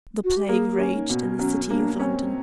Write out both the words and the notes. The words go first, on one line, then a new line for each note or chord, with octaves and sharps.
The plague raged in the city of London.
F#4
G4
A#3 G#4
G4
C#4
D#4
B2
F#3 C#4
A#3 D4
C4 C#4